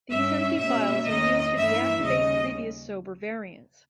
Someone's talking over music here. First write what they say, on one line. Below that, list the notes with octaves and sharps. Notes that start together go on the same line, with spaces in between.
These empty files are used to deactivate previous Sober variants.
G2 G3 C#4 E5
B2 A#3 C#4 E5
E2 D#3 A#3 C#4 D#5
G2 E3 A#3 E5
D#2 C#3 G3 C#4 D#5